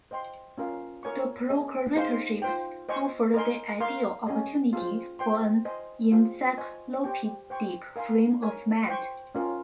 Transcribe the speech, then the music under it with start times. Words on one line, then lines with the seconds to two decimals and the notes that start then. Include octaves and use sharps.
The procuratorships offered the ideal opportunity for an encyclopedic frame of mind.
0.11 C5 D#5 G5 C6
0.58 C#4 F4 A#4 F5
1.03 A#4 C#5 G#5 C#6
1.49 C#4 G#4 D#5
1.95 D#4 G#4 C5 F5 C6
2.42 F4 C5 G5
2.89 C5 D#5 G#5 C#6
3.34 A#4 D#5 G#5 C6
3.80 A#4 F5 C6
4.27 C#4 G#4 D#5
4.73 F4 G#4 C5
5.19 C5 G5 C6
5.65 C5 D#5 G#5
6.12 F4 G#4 C5
6.57 C5 D#5 G#5 C#6
7.04 G4 C5 G5 C#6
7.50 C5 G5 C#6
7.96 A#4 F5 G#5 C6
8.42 A#4 C#5 G#5
8.89 C5 G5 C#6
9.35 C#4 F4 A#4